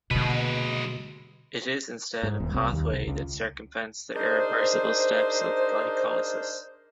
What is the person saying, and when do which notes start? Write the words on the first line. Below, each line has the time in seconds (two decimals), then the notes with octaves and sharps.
It is instead a pathway that circumvents the irreversible steps of glycolysis.
0.11 B2 D3 G#3 A#3 B4
2.23 G#2
2.40 D#1
2.54 C2
2.73 D#2
2.93 C2
3.07 C#2
4.15 D4 D#4 G#4 A#4 C5